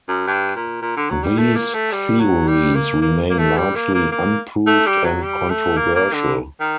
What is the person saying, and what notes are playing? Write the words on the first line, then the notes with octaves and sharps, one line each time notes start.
These theories remain largely unproved and controversial.
F#2
G2
A#2
A#2
D3
F#3
G3
A3
A#3
A3
G3
F#3
G3
A#3
A#3
A#3
A3
G3
A#3
A#3
A#3
A3
G3
F#3
G3
A3
A#3
A#3
D3
D#3